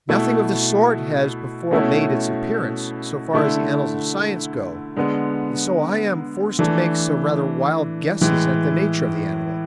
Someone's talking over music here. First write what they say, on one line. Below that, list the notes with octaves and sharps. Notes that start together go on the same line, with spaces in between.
Nothing of the sort has before made its appearance, so far as the annals of science go, and so I am forced to make some rather wild guesses at the nature of the animal.
B2 A3 E4
B2 A3 C#4 E4
D3 A3 E4
D3 G#3 B3
E3 A3 D4
A2 E3 G#3